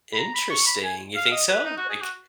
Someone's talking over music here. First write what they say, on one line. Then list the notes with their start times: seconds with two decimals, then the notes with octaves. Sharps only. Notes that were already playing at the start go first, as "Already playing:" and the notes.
Interesting, you think so? Like,
0.13 B5
0.18 A#5
0.34 B5
0.50 C#6
0.66 B5
0.84 G#5
1.16 F5
1.32 D#5
1.49 B4
1.65 D#4
1.77 F#4
1.90 G#4
2.01 F#4